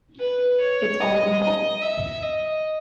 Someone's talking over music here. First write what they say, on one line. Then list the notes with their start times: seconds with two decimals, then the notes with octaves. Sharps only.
It's all my fault.
0.19 B4
0.60 C#5
1.01 D#5
1.42 D#5
1.82 E5
2.22 D#5